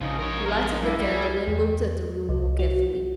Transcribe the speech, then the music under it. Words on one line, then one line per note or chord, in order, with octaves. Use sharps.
He lighted the candle and looked at the room more carefully.
A#1 C#3 F3 D#4
A#4 C#5
G#3 A#4 F5
G2 E4
C2 G3
G#4
E2
C2
F#4